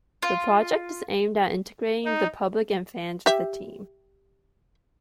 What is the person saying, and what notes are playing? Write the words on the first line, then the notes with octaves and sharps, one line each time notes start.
The project is aimed at integrating the public and fans with the team.
F4
D#4
G4 E5